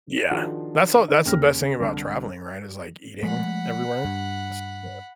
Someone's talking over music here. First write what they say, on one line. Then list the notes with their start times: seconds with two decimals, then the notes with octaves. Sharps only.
Yeah. That's all that's the best thing about traveling, right, is like eating everywhere. It's, yeah.
0.31 D#3 F3 D4 F4 F#4 G#4
1.08 D#4
1.25 D#2 C#3 G5 F6 A#6
1.61 C#3
1.80 C2 D3
3.23 F3 G#3 A3 F#5 B5
4.05 G2